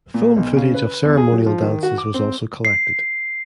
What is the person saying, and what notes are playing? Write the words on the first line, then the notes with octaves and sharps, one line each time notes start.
Film footage of ceremonial dances was also collected.
A#2
B1
C#3
B4
E2
G#4
F#3
F3
D#3
F#4
D6
C4
C7